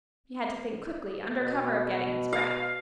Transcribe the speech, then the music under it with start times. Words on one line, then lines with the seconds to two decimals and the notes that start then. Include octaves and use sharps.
He had to think quickly under cover of getting his breath.
1.41 B2
2.33 F5